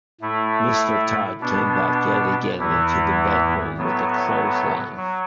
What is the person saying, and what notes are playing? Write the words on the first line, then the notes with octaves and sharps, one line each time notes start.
Mr Tod came back yet again into the bedroom with a clothes line.
A2 A3 E4
B2 B3 D4
E2 E3 B3 E4
A2 F#3 B3
F#3